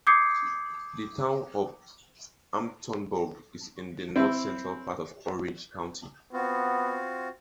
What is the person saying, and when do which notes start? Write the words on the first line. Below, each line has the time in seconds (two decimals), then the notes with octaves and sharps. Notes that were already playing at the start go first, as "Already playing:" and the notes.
The Town of Hamptonburgh is in the north central part of Orange County.
0.07 D6 D#6 G6 G#6 C7 C#7
4.16 C4 E4
6.33 B3 C4 F4 F#4